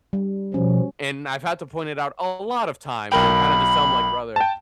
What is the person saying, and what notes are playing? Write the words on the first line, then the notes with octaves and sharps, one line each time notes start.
and I've had to point it out a lot of times and kinda just tell him like, "Brother,
G3
B2 F3 C#4
B1 A#4 G5 B5
G5 A5